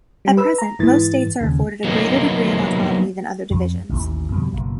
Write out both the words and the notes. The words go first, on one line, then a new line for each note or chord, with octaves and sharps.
At present, most states are afforded a greater degree of autonomy than other divisions.
G3
B4 E6
A#5
G#2 E3 A6
D#2 C#3
F#3 A#3 B3 D#4
F2
A1 D#2
F2 B2 D3 G3
F#1 B2